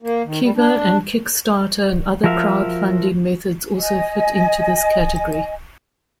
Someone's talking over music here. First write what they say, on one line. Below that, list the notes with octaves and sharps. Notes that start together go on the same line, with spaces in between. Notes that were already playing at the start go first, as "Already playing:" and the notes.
Kiva and Kickstarter and other crowdfunding methods also fit in this category.
A#3
D#3
G3
D4
F3 F#4 A#4 E5 F5
D#5 G#5